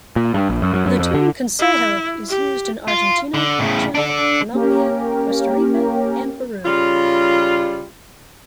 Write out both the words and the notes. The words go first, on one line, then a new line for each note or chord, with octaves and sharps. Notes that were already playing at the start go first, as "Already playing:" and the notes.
The term "consejo" is used in Argentina, Chile, Colombia, Costa Rica, and Peru.
A#2
G2
A#1
F#2
F#2
F#2
F2
D3
E4
G4
F4
D3
A2 C#3
D4 A4
A#3 C#4 G4 A#4
C#3 G3 F4